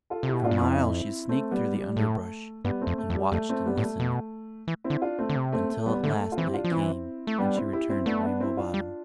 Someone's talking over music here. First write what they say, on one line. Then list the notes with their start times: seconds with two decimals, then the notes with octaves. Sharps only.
For miles she sneaked through the underbrush, and watched and listened; until at last night came, and she returned to Rainbow Bottom.
0.10 F4 A4
0.23 C3 E4 G4
0.33 B2
0.42 A2 D4 F4
0.51 G2
0.61 F2 C4 E4
1.29 A3 C4
1.51 G3 B3
1.74 G3
1.96 A2 A3
2.65 G2 G3 B3
2.81 A3 C4
2.87 F2
2.98 A3
3.10 F2
3.15 G3
3.32 F2 A3
3.49 A3 C4
3.66 G3 B3
3.78 A2
3.83 A3
4.00 B2
4.68 E3
4.84 C4 E4
4.90 D3
5.02 D4 F4
5.19 A3 C4
5.29 D3
5.36 C3
5.52 A3 C4
5.69 A3
5.86 G3 B3
6.03 D3 A3
6.21 A3
6.32 F4
6.37 E3 C4 E4
6.47 G4
6.54 D4 F4
6.64 F3
6.71 E3 C4 E4
7.27 A3
7.38 G3 B3 D4
7.56 C4 E4
7.73 E4 G4
7.90 C4 E4
8.06 A3 B3 D4
8.23 B3 D4
8.40 C4 E4
8.57 D4 F4
8.74 G3